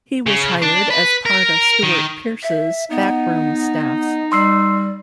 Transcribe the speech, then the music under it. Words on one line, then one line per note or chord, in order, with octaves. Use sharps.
He was hired as part of Stuart Pearce's backroom staff.
C#3
D4
B4
A#4
D#3
E5
B3 D#4
G3 C6 E6 C7